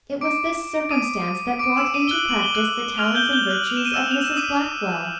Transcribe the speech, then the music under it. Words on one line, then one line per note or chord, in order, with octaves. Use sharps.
It was this circumstance that brought into practice the talents and virtues of Mrs Blackwell.
D6 D7
D#6 D#7
D6 D7
E6 E7
D#6 D#7
G7
F#6 F#7
F#7
G7
F#6 F#7
F6 F7
G6 G7
G6 G7
F#6 F#7
F7
E7
D#7
E6 E7
F7
E7
D#6 D#7